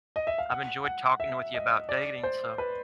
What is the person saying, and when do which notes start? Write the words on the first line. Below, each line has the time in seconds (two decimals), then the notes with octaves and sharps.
I've enjoyed talking with you about dating, so
0.16 D#5
0.27 E5
0.38 F5
0.50 F#5
0.85 F#5
1.20 E5
1.54 D#5
1.89 D5
2.23 C5
2.58 B4